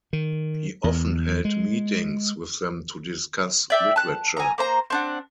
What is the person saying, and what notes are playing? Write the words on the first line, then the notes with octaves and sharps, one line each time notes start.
He often held meetings with them to discuss literature.
D#3
E2
G#3
D5 E5 G5
A5 F#6
G#5 A#5
A#3 C5 A#5
C4 D4 F#5